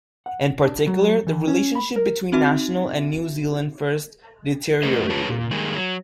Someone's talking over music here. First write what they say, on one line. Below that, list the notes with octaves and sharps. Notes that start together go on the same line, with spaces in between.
In particular, the relationship between National and New Zealand First deteriorated.
F#5
D4
F#3
E3
C#4
B5
A#4
C4 D#4 F#4 E5
A3 A#4 C5 D#5
G#4 B4 C#5 A5
A#2
D#3 G3 G#3 A#3 G#4
F#3